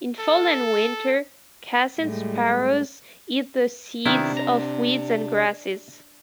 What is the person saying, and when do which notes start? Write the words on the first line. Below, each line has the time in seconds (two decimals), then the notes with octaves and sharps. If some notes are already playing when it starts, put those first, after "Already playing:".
In fall and winter, Cassin's sparrows eat the seeds of weeds and grasses.
0.19 A4
2.00 A2 G3 G#3
4.06 C3 D#3 B3 D4 E4
4.37 A#5